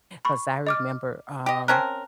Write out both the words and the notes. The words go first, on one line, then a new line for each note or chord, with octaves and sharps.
'Cause I remember, um,
B5 C#6
D#5 D6 F6
G4 D#5
C4 C#4 A#4 A5 F#6